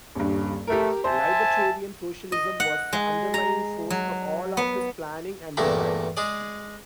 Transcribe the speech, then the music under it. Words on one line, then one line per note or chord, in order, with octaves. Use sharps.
Libertarian socialism was the underlying force for all of his planning and design.
D#1 G2
A3 G4 A#4
C5 E5 G#5 A5
D#5
F#5
G#3
A#5
F#3
B3
E2 G2 A#2 A3 E4
G#3 G#4 D5